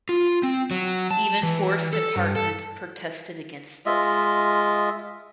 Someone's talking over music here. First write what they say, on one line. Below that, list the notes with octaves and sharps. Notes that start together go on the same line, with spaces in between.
Even forest department protested against this.
F4
C4
F#3
A5
E3
A4
G2
A4
G#3 F4 D#5 E5